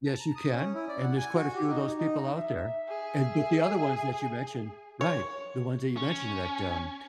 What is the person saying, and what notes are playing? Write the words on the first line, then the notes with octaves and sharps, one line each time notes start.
Yes, you can. And there's quite a few of those people out there. And, but the other ones that you mentioned Right, the ones that you mentioned that, um,
A5
A#5
D#6
C#4
E4
D5
F#5
G#5
F#4
G4
D#4
D#4
E5
G#4
C#5
C#4